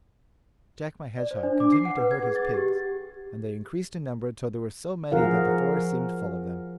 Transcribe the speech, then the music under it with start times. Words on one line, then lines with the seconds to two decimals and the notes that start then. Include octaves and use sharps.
Jack my Hedgehog continued to herd his pigs, and they increased in number till there were so many that the forest seemed full of them.
1.17 D5
1.31 C5
1.43 D4
1.60 D6
1.72 C7
1.85 F#5
1.97 B4
2.11 G#6
2.23 G#4
2.36 A6
2.54 G4
5.12 F3 F#4 G#4 A#4 F5 F#5